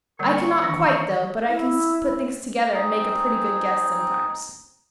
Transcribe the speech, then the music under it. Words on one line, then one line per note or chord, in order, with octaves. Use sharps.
"I cannot quite, though; but I can put things together and make a pretty good guess, sometimes."
D3 F#3 G3 A#3 A#4 C#6
D#3 E3 D4
E4
C4 D#4 G#4